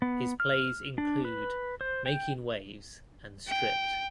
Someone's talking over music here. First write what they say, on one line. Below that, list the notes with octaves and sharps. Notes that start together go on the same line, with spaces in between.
His plays include "Making Waves" and "Stripped".
B3
F6
D4
B4
C5
G5
G5